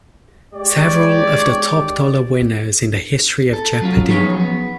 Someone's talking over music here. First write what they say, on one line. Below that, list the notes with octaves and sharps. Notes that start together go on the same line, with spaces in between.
Several of the top dollar winners in the history of Jeopardy!
G#3 G4 C#5 D5
A4
F#3 C#4 F4
F3 F#3 B3 D#4 G#4 C#5
B3